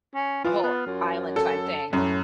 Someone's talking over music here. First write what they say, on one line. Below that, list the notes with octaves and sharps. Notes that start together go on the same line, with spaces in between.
a whole island time thing.
C#4
E3 F4
B3
F#2
A4
F#2 A2